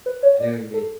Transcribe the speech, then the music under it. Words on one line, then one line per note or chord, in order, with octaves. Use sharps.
I know what you mean.
B4
C#5
D5
A4